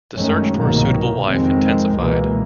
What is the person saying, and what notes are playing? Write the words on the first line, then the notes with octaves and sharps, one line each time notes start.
The search for a suitable wife intensified.
F#2 D#3 G#3 A3 C#4
C2 G#2 B2 D#3 F#3 A#3
F2 D#3 G#3 C4
C#2 B2 E3 G#3 A#3